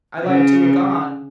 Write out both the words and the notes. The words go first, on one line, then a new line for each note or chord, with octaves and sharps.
I like to look on.
C#3